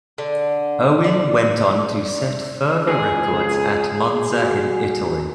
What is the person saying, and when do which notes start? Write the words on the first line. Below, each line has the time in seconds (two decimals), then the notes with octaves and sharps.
Owen went on to set further records at Monza in Italy.
0.18 D3
1.04 D5
2.89 C#2 G#4
4.32 F#4